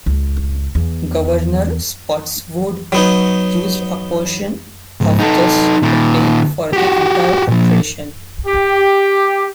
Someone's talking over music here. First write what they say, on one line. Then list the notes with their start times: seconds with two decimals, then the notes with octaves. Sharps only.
Governor Spotswood used a portion of this to pay for the entire operation.
0.06 C#2
0.75 E2
2.92 F#3 B3 D#4
5.01 C#2 G#2
5.18 D#4 A4
5.82 A#2 D#3
6.73 F#4 G4
7.48 A#2 F3
8.47 G4